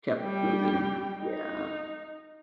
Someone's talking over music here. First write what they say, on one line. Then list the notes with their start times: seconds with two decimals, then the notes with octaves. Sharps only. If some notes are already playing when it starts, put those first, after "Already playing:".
kept moving. Yeah.
0.20 G3 G5
1.20 D#4